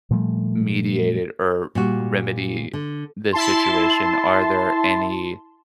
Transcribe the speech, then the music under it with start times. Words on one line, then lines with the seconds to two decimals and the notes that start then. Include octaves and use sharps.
mediate it or remedy this situation, are there any
0.11 A#2 F3 G3 A3
1.75 A#2 G3 F#4
2.73 D3
3.33 E4 A5 C6